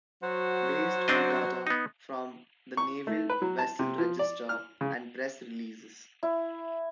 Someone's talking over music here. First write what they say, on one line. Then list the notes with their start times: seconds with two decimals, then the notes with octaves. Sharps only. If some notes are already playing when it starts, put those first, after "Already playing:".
Based on data from the Naval Vessel Register and press releases.
0.22 F#3 F#4 C5
1.08 C4 D4 D#5
1.67 B3 D#4
2.77 C#6
3.07 A3
3.30 B4
3.42 F#3
3.59 A5
3.79 C3
3.98 F3
4.19 D5
4.49 F6
4.81 C#3
6.23 E4